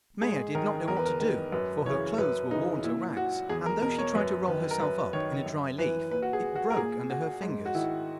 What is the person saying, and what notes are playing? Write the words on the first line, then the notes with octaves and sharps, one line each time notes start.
Maia did not know what to do, for her clothes were worn to rags, and though she tried to roll herself up in a dry leaf it broke under her fingers.
G#2 G#4
D#3 A#4
E2 A#4
B4
A#4
D#3 B4
F#2 B4
C#3 E3 C#5
F#2 B4
C#3 E3 D#4
A#2 E4
F#4
E2 G#4
A#4
B2 A#4
C#5
F#2 B4
D#3 B4
A#4
F#2 B4
D#3 C#5
F#2
E3 B4
A#2 B4
F#4
G#4
F#4
A#4
A#2 G#4
F#4
G#2
F#4
D#3 E4